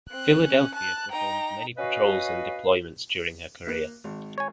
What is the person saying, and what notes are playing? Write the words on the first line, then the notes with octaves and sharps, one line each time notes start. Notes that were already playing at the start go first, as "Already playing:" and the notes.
"Philadelphia" performed many patrols and deployments during her career.
C4 F#6
C#4
A5 F#6
D#4 G5 A#5
C#4 F#4 B4 D#5 F5
A#3 F#6
G#1
C#5 G#5